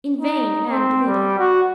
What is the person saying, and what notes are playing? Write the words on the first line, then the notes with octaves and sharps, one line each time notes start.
In vain Anne pleaded.
D#4
C4
G3
F#4